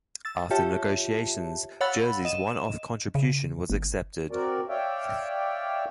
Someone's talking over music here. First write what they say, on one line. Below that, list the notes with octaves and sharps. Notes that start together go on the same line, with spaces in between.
After negotiations, Jersey's one-off contribution was accepted.
E6 A6
F4 G4 C#5 E5 A5
C#5 F5 F#5 B5 E6 A6
D#5 E7
C#3
G1
C4 F#4 A#4 D5
C#5 D5 E5 F5 G5